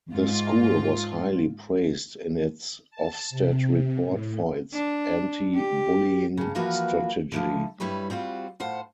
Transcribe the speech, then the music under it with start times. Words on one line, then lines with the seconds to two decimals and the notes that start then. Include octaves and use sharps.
The school was highly praised in its Ofsted report for its anti-bullying strategy.
0.12 G#2 F4
2.91 A5
3.30 C3
4.05 A2
4.73 D4
5.55 G4
6.37 G2 C#3
6.55 E3 F3 A#3 F4 F#4 B4
7.32 D3 E3 F3
7.80 G2 G3 E4 B4 C#5
8.10 G3 C4 F4 F#4
8.60 A2 F4 C5 F#5